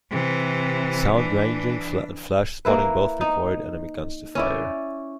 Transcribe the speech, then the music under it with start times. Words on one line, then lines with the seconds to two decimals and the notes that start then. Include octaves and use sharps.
Sound ranging and flash spotting both required enemy guns to fire.
0.11 C3 E3
1.15 E3 D4
2.65 A#3 E4 B4
3.21 D#4
4.35 C#4 E4 D5